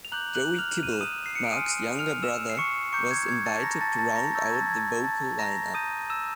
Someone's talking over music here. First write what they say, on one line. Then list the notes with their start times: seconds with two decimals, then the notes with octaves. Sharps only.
Joey Kibble, Mark's younger brother, was invited to round out the vocal lineup.
0.05 F7
0.12 A#5 D6 F#6 G6 F#7
0.35 F#6 F#7
0.58 F6 F7
0.83 D#7
0.92 E7
1.01 D#6 D#7
1.26 C7
1.35 C#7
1.44 D7
1.53 G#5 C6 D#6 F6 D#7
1.99 F6 F7
2.22 E6 E7
2.50 C7
2.57 C#6 C#7
2.93 A#5 C#6 D6 G6 C#7
3.11 G#6
3.28 G#6
3.46 A5 A6
3.63 A#5 A#6
3.81 A5 A6
3.98 A5 A6
4.16 A#5 A#6
4.33 C#6 E6 G6 A6
4.44 G#6
4.55 A5 A6
4.69 G#6
5.04 A5 A6
5.39 A#5 A#6
5.74 A#5 D#6 G6 D#7
6.10 E6 E7